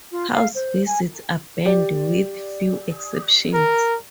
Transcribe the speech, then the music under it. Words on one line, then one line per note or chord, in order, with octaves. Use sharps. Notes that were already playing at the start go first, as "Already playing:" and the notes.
House visits are banned with few exceptions.
F4
F5
C5
G#5
G4 D5
A#4